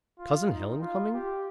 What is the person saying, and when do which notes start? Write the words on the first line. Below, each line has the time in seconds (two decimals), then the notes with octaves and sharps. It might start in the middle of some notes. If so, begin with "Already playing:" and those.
Cousin Helen coming!
0.19 F4
0.50 D#4
0.82 F4
1.14 G4